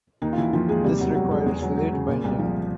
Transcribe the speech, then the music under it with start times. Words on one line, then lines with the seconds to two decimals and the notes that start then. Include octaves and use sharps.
This requires late binding.
0.22 D#2 D#3 D#4
0.33 F4
0.38 D#2 E3 E4
0.53 D#2 F3 F4
0.69 D#2 G#3 G#4
0.84 C3 G3 G4
1.00 E1 F#3 F#4
1.15 E1 F#3 F#4
1.31 E1 G#3 G#4
1.46 E2 G#3 G#4
1.62 F#3
1.78 F#3
1.93 C#3
2.08 A#2
2.24 C2
2.39 F3